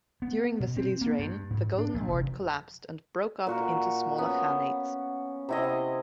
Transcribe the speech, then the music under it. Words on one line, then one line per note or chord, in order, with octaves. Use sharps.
During Vasily's reign the Golden Horde collapsed and broke up into smaller Khanates.
B3
B2
C4
A#3
G2
G#2
D4
A#1
F1
A#2 F#4 A#4
B3 C#4
C3 E4 D#5